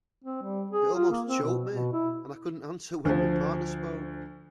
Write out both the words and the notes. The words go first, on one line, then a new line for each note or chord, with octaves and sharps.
It almost choked me, and I couldn’t answer when my partner spoke.
C4
G3
G#4
F4
A#3
C4
B2
B2
E4
D2 F3